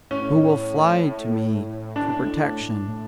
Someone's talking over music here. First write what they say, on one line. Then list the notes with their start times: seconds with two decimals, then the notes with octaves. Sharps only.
Who will fly to me for protection?
0.11 A2 C#4
1.96 D4
2.88 A2